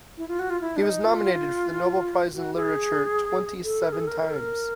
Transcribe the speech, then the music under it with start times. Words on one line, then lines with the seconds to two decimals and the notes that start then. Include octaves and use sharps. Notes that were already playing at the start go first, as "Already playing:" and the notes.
He was nominated for the Nobel Prize in Literature twenty-seven times.
0.18 E4
0.28 F4
0.39 F#4
0.50 F4
0.61 E4
0.76 D4
0.82 D#4
1.04 F4
2.34 F#4
2.55 G#4
3.64 A4
3.86 A#4
3.92 G#4
4.00 A4
4.07 A#4
4.21 A#4
4.30 A4
4.36 A#4